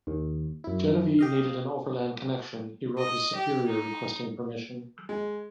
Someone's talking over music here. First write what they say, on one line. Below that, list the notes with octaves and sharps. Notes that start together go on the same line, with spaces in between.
Genevieve needed an overland connection, he wrote his superior requesting permission.
D#2
F#2 E4
G4 D#5 F5
D#5
G4
D#4
G#3